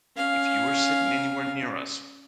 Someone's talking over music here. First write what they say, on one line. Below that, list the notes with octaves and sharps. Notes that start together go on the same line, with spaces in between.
if you were sitting anywhere near us
C#4 F5